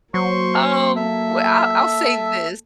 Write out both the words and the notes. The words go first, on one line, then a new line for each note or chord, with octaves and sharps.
Um, well, I I'll say this
F#3 A#3 C5 C6 C#6
A4 E5